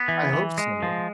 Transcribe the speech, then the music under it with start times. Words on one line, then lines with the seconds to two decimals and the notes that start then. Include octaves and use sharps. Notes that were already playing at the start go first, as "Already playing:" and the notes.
I hope so.
Already playing: B3
0.08 E3
0.33 E3
0.58 G#3
0.83 F3